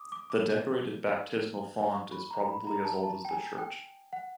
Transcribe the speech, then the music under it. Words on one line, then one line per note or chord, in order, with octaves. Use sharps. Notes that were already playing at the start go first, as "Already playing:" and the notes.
The decorated baptismal font is probably as old as the church.
Already playing: D6 D#6
D6
D6
C#6
B5
A#5
B5
A#5
A5
A5
G5
G#5
G5
F#5